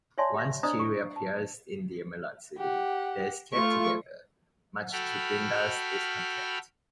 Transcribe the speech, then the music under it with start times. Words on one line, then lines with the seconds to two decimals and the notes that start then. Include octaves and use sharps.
Once she reappears in the Emerald City, they escape together, much to Glinda's discontent.
0.18 C#5 D5 E5 G#5 A5 C6
0.34 G4 E5
0.63 D4 C5 D5 D#5 A#5 D#6
0.79 C#6
1.16 A5
2.58 G4 F#5
3.53 A3 F4 C#6
4.92 F#4 A4 G5 B5 F6